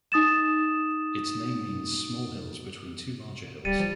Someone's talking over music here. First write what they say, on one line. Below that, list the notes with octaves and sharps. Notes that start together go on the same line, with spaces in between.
Its name means "small hill between two larger hills".
D#4 D#6 A6 E7
D1 G3 A6 C#7 D#7
F3